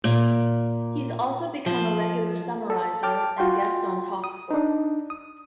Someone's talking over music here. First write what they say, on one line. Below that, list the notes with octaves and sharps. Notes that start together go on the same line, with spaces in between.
He's also become a regular summariser and guest on Talksport.
A#2
F3
A4
G5 A5 D6 F6
F4 F#4 G5 C6
D#6
D4 D#4
D#6